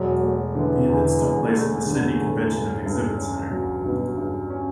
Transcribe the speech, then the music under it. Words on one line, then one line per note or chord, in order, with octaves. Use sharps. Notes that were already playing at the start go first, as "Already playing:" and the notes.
The events took place at the Sydney Convention and Exhibition Centre.
Already playing: E1 F#3
A3
D3 E3
E2
E1
A3
G2 D3
E2 A2
G2
G2
C#4
F#3
G2 B2
G2 C#3
C#4